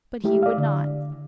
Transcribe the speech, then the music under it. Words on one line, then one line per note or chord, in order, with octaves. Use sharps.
But he would not.
G#3 A3 E4 G4
D5 F5
D3